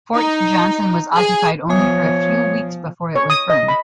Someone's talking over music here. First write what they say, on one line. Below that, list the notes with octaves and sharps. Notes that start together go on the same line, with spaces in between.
Fort Johnson was occupied only for a few weeks before it was burned.
D#4
G#4
F3 B3 C#5 G#5 D#6
C#5
D#6
D#5
B5